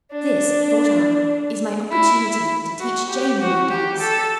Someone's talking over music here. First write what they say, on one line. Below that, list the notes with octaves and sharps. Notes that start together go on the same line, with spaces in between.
This, thought I, is my opportunity to teach Jane the new dance.
D4
E4
F#4
G4
F#4
G4
A4